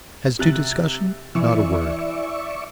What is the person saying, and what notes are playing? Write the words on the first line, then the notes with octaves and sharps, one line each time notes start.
As to discussion--not a word.
C3 F#6 A6
E3 D5 E5 C#6